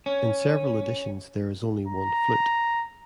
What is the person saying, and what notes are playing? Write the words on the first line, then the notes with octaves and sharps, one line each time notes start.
In several editions there is only one flute.
C#4
A#5